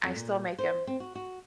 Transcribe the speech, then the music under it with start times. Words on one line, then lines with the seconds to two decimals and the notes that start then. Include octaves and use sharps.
I still make 'em
0.04 F2
0.16 A#2
0.59 C5
0.87 C4
1.00 F#4
1.15 F#4